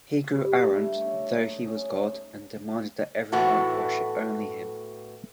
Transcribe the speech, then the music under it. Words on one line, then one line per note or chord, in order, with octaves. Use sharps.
He grew arrogant, thought he was God, and demanded that everyone worship only him.
G2
A3
C#5
D#4
C#4
A2 E3 A3 B3 F#4 A4